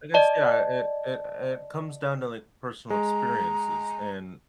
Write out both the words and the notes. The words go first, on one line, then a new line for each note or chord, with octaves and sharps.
I guess, yeah, it it it comes down to, like, personal experiences. And
D5 D#5 A5
G#3 A#5